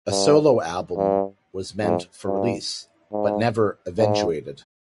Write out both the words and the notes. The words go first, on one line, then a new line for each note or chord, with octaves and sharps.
A solo album was meant for release but never eventuated.
G2
G2
F2
G2
G#2
G#2